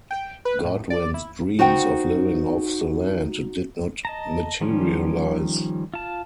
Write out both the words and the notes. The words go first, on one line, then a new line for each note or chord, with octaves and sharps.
Godwin's dreams of living off the land did not materialize.
G5
B4
A2
D5
E4
D#4 F#4 C5 F#5 G5
D#5 A5 A#5
D#3 F3 G3 C#4
F4 A5